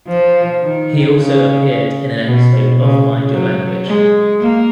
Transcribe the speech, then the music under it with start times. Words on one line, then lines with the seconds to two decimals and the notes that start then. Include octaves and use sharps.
He also appeared in an episode of "Mind Your Language".
0.08 F3
0.62 D#3
1.17 C#3
2.25 B2
2.79 C#3
3.32 F#3
3.87 G#3
4.40 A#3